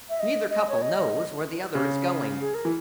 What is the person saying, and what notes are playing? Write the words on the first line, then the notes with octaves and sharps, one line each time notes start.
Neither couple knows where the other is going.
E5
D#5
D#5
C#5
D#5
C#3
G#4
A#4
E3